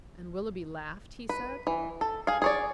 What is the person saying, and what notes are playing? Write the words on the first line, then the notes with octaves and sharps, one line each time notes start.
"And Willoughby laughed?" he said.
B4
E3
A4
G#4 F5
G#4 C#5 D5